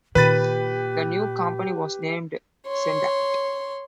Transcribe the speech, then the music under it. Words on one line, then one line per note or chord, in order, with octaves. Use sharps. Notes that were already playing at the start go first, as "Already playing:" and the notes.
The new company was named Cendant.
A#2 D#3 G4 B4 B5 A6 D#7
C#5 C6